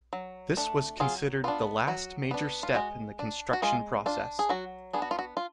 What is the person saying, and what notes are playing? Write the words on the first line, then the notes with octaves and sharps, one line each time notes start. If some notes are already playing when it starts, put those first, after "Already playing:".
This was considered the last major step in the construction process.
F#3
A3 D4
F#3 F4 G#4
B3 D4 F4
F#3 F#4
B3 D4
F4
G#3 F#4
D4
F#4
G#3 F4 G#4
D4 F4
G#4
F#3 F#4
B3 D4 G#4
F#4
F4
F#4
F4